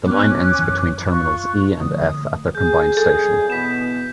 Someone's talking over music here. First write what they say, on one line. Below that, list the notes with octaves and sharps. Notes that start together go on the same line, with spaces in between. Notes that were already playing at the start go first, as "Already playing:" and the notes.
The line ends between terminals E and F at their combined station.
B3 C#4 D6 F#6
F#2 E3
F4 C#6 F#6
D3 F3 A3 D#6
G#4 G6
C2 F#2 G#4 A4
B2 E3 B3 B6 E7